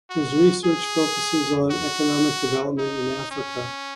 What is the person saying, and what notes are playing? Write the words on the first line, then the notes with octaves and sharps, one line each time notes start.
His research focuses on economic development in Africa.
F#4
G#4
F#4
D#4
C#4